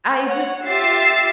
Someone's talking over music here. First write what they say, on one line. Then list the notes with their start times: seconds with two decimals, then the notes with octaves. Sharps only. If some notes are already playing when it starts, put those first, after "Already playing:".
I just
0.24 C#5 F#5
0.64 F4 G4 E5 E6 A6 C7